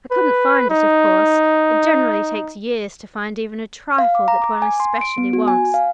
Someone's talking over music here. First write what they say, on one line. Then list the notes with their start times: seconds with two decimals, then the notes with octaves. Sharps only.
I couldn't find it, of course,--it generally takes years to find even a trifle that one especially wants.
0.11 B4
0.70 D#4
3.98 F5
4.15 D6
4.28 A#5
4.42 D6
4.62 G#5
4.80 C6
5.01 D7
5.18 B3
5.33 F#4
5.48 G#5
5.74 F5